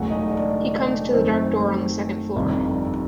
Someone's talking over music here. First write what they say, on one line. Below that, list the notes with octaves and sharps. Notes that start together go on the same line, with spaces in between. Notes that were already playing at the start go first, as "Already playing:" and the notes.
He comes to the dark door on the second floor.
Already playing: E1 E2 C#3 F#3 A3 F#4 F#5
D#4 D#5
D4 D5
F#2 D#3 F#3 A3 C4 C5
G1 F2 C3 D#3 G3